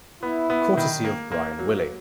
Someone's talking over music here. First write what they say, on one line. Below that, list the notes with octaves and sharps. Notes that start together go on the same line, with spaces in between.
Courtesy of Bryan Willy.
B3 E4
B3
D#3
A#3
A#3
F#3